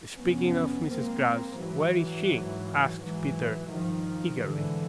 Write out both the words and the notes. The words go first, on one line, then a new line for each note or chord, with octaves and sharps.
"Speaking of Mrs. Grouse, where is she?" asked Peter eagerly.
F2 C3 B3 C#4
G#2 A#3 C4
G#2 E3 F#3
G#2
G#2 E3 F#3
G2 D#3 F3
G#2 D3 E3